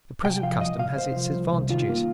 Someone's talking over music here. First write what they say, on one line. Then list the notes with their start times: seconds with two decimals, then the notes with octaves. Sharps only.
The present custom has its advantages.
0.25 C3 G5
0.43 F3 F5
0.61 C2 D#5
0.79 C2 F5
0.97 C3 C5
1.16 F3
1.34 C2
1.53 C2
1.71 D#3 F4
1.89 A#3